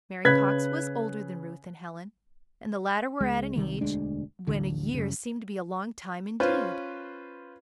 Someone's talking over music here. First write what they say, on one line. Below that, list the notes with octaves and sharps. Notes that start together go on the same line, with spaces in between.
Mary Cox was older than Ruth and Helen, and the latter were at an age when a year seemed to be a long time indeed.
C#3 B4 F#6 G#6 B6
C#2 G#3
C2 C3 D#3 G3
E1 D2 G#3 D4
A1 D2 D3
F#2 C#3
C#4 F4 B4 C5